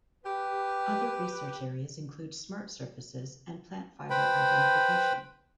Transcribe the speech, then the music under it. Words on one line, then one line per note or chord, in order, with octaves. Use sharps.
Other research areas include smart surfaces and plant fibre identification.
G4 B4
B4 C5 G5 B5